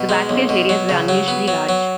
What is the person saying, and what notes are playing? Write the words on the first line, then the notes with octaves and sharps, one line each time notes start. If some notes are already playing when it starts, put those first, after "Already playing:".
The backstage areas were unusually large.
Already playing: B2
G#3
B1
B2
F#3
C#3
F#3
B3
F#3
F#3